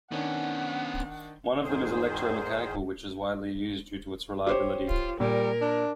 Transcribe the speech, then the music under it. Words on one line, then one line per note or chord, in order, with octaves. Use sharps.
One of them is electro-mechanical, which is widely used due to its reliability.
D#3 B3 C#4 D4 F#5
E2 G#2 D#3 G#4 C5
G4 C5 C#5
F4
A#2 G3 A#4
D4